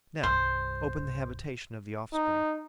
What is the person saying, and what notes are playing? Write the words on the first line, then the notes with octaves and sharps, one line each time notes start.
Now open the habitation of the offspring.
C2 G2 C5
D#4